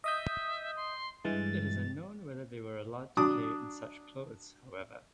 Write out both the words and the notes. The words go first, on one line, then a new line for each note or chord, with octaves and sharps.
It is unknown whether they were allowed to play in such clothes however.
D#5 E5 D#6 G6
C6
G2 E3 G#3 A6
F#3 D4 D6 D#6